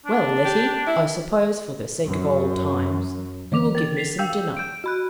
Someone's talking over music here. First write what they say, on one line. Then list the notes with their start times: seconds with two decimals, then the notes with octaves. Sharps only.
"Well, Letty, I suppose, for the sake of old times, you will give me some dinner?"
0.06 D4
0.45 G4
0.87 E4
2.05 F#2
3.52 D3 E3 D6 F7
3.75 A#4 A6
3.97 B6 C7 F7
4.18 F5 G5 E6 G6
4.57 G6 D7
4.84 F#4 B5 F#6